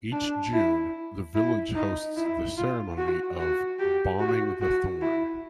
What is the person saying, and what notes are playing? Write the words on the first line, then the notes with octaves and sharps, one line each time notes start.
Each June, the village hosts the ceremony of "Bawming the Thorn".
D4
E4
E4
D#4
E4
F4
F#4
F#4
G4
F#4
F#4
E4